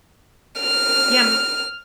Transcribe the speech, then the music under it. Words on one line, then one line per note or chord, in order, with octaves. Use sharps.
Yeah, m
F6